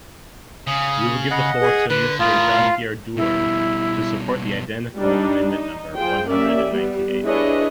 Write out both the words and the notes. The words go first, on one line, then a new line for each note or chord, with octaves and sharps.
We will give the floor to Mr Jean-Pierre Door, to support the identical amendment number one hundred and ninety eight.
C#3 D#6
D#5 F#5 B5
G#4
D3 B4
A2 F4 A#4 D#6
F5
B2 G3 E4
G3 D4 D#4
D#4
F4 G#4 C5 G5
A#3 C#4 G4 D5 E5
G3 B3
D4 E4 G#4 B4 C#5 D#5